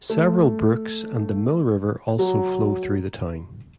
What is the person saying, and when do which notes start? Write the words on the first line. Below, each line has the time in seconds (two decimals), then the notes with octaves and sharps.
Several brooks and the Mill River also flow through the town.
0.10 A3
2.19 F#3